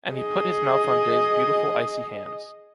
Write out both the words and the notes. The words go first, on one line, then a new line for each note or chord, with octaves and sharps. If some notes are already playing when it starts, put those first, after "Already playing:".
And he put his mouth on Dea's beautiful icy hands.
G#4 D#5